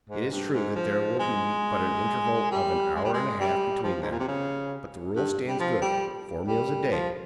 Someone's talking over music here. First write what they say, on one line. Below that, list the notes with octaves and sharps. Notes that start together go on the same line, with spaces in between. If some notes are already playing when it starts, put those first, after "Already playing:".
It is true that there will be but an interval of an hour and a half between them, but the rule stands good--four meals a day.
G#2
G2
G#2
F3
G#3
G3
G#3
G3
G#3
G3
F3
G#2
A#2
C3
C#3
G2
G3
F3
G3
G3
F3